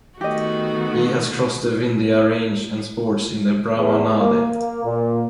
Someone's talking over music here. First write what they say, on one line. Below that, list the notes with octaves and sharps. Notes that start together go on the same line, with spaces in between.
He has crossed the vindya range and sports in the Brahma Nadi.
D#3 A3 B3 F#4 G4 D#5
E2
A#3
A#3
A#2